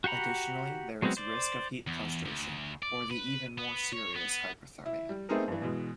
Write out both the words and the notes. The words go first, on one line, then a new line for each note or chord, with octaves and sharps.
Additionally, there is risk of heat prostration or the even more serious hyperthermia.
F#4 G4 F#5 A#5 B5
F#3 G#3 B3 C4 F#4
C5 D5
E2
D2
D5
B4
B3
C#5
B3
E4
G3
A3 B3 C4 D#4 G#4 A#4
G2 E3
B2 E3 G#3